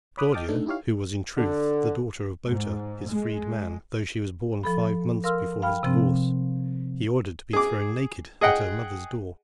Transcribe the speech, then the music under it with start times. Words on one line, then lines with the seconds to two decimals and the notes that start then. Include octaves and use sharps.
Claudia, who was, in truth, the daughter of Boter his freedman, though she was born five months before his divorce, he ordered to be thrown naked at her mother's door.
0.17 C#5 B5 D6 D#6 F#6
0.32 D#5 G5 A5 D6 D#6 F6
0.48 A3 D4 D#4 A4
0.66 D#4 E4 G4 C#5 F5
1.37 D3
2.45 G#2
3.08 G#3
4.64 F3 A4 B5
5.24 A#4 F5 C6 E6 F6
5.62 F5 G5 B5 F6
5.83 C3 F3 C4
7.53 G#4 D6
8.41 G#4 D#5 F#5 G5